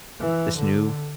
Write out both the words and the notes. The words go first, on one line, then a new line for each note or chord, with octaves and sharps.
this new
E3
D3